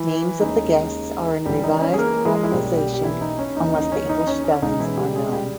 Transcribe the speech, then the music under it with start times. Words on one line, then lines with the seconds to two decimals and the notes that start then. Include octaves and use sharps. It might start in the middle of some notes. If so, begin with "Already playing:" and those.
Names of the guests are in revised romanization unless the English spellings are known.
Already playing: E3 E4
0.40 D#2 C#3 G#3 D#4
1.46 C#2 C#3 E3 G3 G4
1.64 D#4
1.81 C#4
1.94 G#4
1.98 A#3 A#4
2.25 G#3 G#4
2.44 E4
2.51 B1 B2 G3 A#3 C#4 G4
2.77 G3 G4
2.94 G4
3.04 E3 E4
3.21 D#4
3.39 C#4
3.56 D#2 C#3 E3 D#4
3.75 D#4
3.92 C#4
4.09 D#4
4.27 C#4
4.44 C#4
4.62 C#2 B2 G#3 C#4 D#4
4.80 E3 E4
4.97 G3 G4
5.15 G#3 G#4
5.32 G3 G4